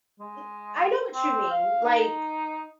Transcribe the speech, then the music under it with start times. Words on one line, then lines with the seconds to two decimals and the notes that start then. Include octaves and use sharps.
n I know what you mean, like
0.20 G#3
1.14 C4
1.50 F5
1.84 D#4